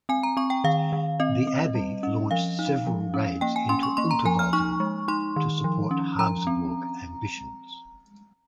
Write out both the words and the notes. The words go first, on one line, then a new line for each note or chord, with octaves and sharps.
The Abbey launched several raids into Unterwalden to support Habsburg ambitions.
C4 G#5
A#5
C4 C#6
G5
D#3 F5
D#3
C4 D#5
C4
G3
C#4
F3 F5
D#4
F3
C#4
A#3 G5
G#5
C#4 C6
C#6
A#3 C6
A#5
F3 G#5
F6
D#4 C#6
G#3
D#4 C6
D#3
F3
C#4
F3 A#5
C4